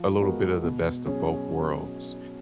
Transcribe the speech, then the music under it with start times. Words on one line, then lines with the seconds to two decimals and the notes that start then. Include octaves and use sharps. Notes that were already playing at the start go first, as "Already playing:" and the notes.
a little bit of the best of both worlds?
Already playing: F3
0.20 G#3 B3 F#4 A#4
0.63 B2
1.06 F#3 C#4 G#4